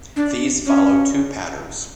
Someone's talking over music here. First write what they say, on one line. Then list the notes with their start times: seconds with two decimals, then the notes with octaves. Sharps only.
These follow two patterns.
0.16 D4
0.66 C#4